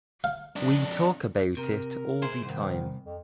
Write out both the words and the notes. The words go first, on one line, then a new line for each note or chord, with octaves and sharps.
We talk about it all the time.
F5
F2 D4
C3 A#4
E4 G#4 C5
C2 G#2 D#3
F2